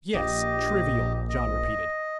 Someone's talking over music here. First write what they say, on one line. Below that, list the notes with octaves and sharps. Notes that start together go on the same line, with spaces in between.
"Yes, trivial," John repeated.
A#1 G4 D#5
D#5